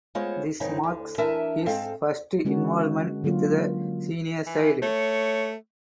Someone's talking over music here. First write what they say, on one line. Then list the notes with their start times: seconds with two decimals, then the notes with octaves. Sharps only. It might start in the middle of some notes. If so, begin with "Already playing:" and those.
This marks his first involvement with the senior side.
0.15 G#3 B3 F4 C5 C#5
0.60 F#2 C#3 E3 C4 D#4
0.83 D2 D3
1.18 E3 D4 A#4 E5 G#5 A5
1.66 G#2 G#3 C4 A4 F5
2.45 D3 G#3 C#4 F#4 A#4
3.24 D3 F#3 A#3 F4 A#4
4.47 E3
4.82 A3 C#5